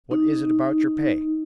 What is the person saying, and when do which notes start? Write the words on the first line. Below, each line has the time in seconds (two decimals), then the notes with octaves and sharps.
"What is it about your pay?"
0.11 D#4